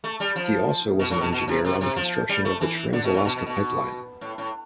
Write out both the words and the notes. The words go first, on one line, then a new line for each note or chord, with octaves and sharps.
He also was an engineer on the construction of the Trans-Alaska Pipeline.
A3
G3
F3
B2
A2
B2
B2
C3
C3
C3
F3
G3
A3
E3
D3
B2
A2
B2
B2
B2
A2
A2